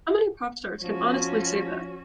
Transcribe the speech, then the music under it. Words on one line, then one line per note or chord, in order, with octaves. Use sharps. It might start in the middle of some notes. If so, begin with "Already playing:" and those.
How many popstars can honestly say that?
F3 C#4 F#4